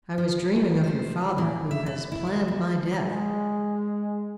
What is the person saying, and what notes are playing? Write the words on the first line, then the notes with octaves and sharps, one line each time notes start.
'I was dreaming of your father, who has planned my death.'
F3
C5
E3
E5
B4
E4
D#3
D#2
G#3